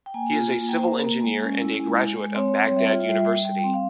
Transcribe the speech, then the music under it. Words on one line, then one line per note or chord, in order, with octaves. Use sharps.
He is a Civil Engineer and a graduate of Baghdad University.
G5
A#3 G#5
F4
A#3
A#3 G5
C5
A#3 A#4
A#3
G#3
C#4
E4
G#3
G#3
G#3
C4 C#5
C#5
C4
C#5
G3
E5
F4 C#5
E5
G3
G3
G3 G5
G5
C4
F5